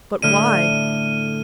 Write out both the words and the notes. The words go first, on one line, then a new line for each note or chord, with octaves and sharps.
But why?
A2 D3 F6 D#7